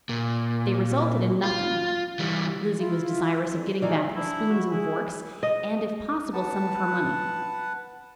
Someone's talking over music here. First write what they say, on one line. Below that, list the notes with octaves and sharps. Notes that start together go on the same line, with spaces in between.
They resulted in nothing. Lizzie was desirous of getting back the spoons and forks, and, if possible, some of her money.
A#2
F4
E3 G3
E4 F4
F2
D#3 E3 G#3 A3 D#4 D5
D4 E4
F#4
E4 G#4
D#5
B4 F#5 A5